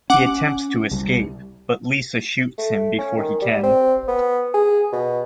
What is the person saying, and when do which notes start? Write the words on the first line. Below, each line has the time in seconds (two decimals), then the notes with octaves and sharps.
He attempts to escape, but Lisa shoots him before he can.
0.10 C#4 F#5 D6
0.91 C2 G3
2.58 A3
2.99 C#4
3.17 D#3
3.42 G3
3.63 C4
4.08 B3
4.54 G#4
4.92 B2